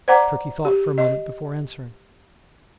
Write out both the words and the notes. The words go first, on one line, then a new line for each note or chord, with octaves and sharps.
Turkey thought for a moment before answering.
C5 D5 F#5 A#5 D6
G4
D#5